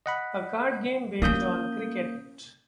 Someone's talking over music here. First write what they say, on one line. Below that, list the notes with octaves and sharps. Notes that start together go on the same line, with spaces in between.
A card game based on cricket.
D#5 F#5 B5
A#3 C#4 E4 D#6 G6